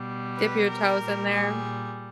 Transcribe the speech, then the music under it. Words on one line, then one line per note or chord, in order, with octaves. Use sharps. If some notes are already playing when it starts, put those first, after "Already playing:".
Dip your toes in there,
Already playing: B2 G3
B4
A#4
A#2 G3
G#4